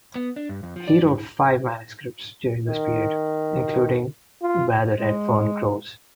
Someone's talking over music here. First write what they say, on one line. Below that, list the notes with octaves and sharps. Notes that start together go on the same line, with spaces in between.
He wrote five manuscripts during this period, including "Where the Red Fern Grows".
B3
D4
G2
F2
F3
D5
G2
D#3
F4
G#3